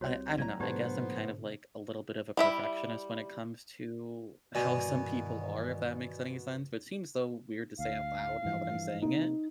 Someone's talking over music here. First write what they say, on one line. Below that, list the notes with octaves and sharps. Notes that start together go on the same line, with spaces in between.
I I don't know. I guess I'm kind of, like, a little bit of a perfectionist when it comes to how some people are, if that makes any sense. But seems so weird to say out loud now that I'm saying it.
C2 C3 F#4 C#5
A2 F#3 D5 A#5
G#2 B2 D3 B3 G4 C5 D5 A5
G3 E4 E5
G2 B2 D#3 E3 D5 G#5
D2 F5
G2 E3 F3
C3 A#3 D#4